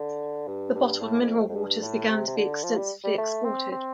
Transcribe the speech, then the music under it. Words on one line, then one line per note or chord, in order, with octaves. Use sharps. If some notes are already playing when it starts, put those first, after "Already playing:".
The bottled mineral waters began to be extensively exported.
Already playing: D3
G2
G2
A2
F2
F2
F2
G2
A2
C3
C3
D3
F3
G3
G3
A3
C4
C4